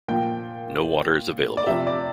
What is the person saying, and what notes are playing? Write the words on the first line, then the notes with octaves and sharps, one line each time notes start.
No water is available.
A#2 F3 G5
D5
C3 F3 E5
D5